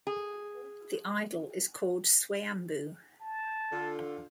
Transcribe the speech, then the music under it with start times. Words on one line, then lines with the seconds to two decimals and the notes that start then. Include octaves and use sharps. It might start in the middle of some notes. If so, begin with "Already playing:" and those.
The idol is called "Swayamboo".
0.07 G#4
3.21 A5
3.72 D3 F4